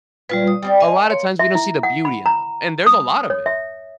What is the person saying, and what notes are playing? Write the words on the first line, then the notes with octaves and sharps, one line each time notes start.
a lotta times, we don't see the beauty in them, and there's a lot of it.
A#2 G3 F4 B4 C#5
D#6
G3 C4 D5
A#3 D#5 G#5
C#5 C6
E5
E4
F#5
B5
A#5
D#6
C#5
E5